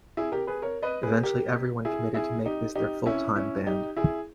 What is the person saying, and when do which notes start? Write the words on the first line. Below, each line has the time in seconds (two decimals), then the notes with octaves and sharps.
Eventually, everyone committed to make this their full-time band.
0.17 E4 G#4
0.32 G4 A#4
0.47 G#4 B4
0.62 A#4 C#5
0.83 B4 D#5
1.03 G#4 B4
1.23 G4 A#4
1.85 E4 G#4
2.14 E4 G#4
2.45 D#4 G4
2.75 D#4 G4
3.06 C#4 E4
3.36 C#4 E4
3.67 D#4 G4
3.97 E4 G#4